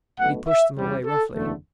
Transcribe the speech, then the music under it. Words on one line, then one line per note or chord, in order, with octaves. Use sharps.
But he pushed them away roughly.
B1 B2 A3 F#5
E5
E2 C#3 G3
A4
F#1 E2 D3 A3